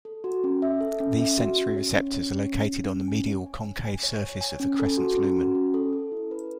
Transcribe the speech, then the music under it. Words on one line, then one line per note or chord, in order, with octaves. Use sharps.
These sensory receptors are located on the medial concave surface of the crescent lumen.
A4
F#4
C#4
E5
A4
C#4
E5
F#4
C#4
C#5
C#4
C#5
C#4
C#4
C#4
C#4
G#5
C#5
G#5
G#5
G#5
C#5
C#5
G#5
C#4
A4
F#4
C#4
F#4
C#4
A4
A4
E4
B4